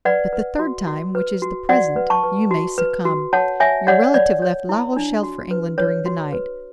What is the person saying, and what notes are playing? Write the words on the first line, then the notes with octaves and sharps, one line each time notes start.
But the third time, which is the present, you may succumb. Your relative left La Rochelle for England during the night.
B4 D5 F#5
B4
F#4
F#4
B4
F#4
F#4 D5 F#5
B4
A5 C#6
B4
F#4
B4
F#4
C#5 F#5 A5
C#5 E5 G#5
C#5 D5 F#5
C#5 D5
C#5
E4
D4
F#4
B4
B4 C#5
F#4
B4